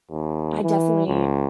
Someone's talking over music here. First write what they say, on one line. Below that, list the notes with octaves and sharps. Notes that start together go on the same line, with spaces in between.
I definitely,
D#2
E3
C#2